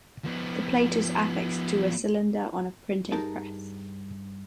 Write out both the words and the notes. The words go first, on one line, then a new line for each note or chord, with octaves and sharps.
The plate is affixed to a cylinder on a printing press.
F3 B3
G2 D#4 G#4 A#4 A5